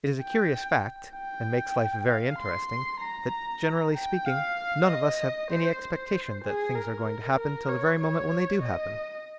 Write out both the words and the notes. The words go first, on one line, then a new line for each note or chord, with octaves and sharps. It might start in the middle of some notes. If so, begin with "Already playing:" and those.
It is a curious fact, and makes life very interesting, that, generally speaking, none of us have any expectation that things are going to happen till the very moment when they do happen.
G5
G5
F5
C6
A#5
G5
F5
D#5
C5
C5
G#4
A#4
A#4
A#4
C#5
C#5
D#5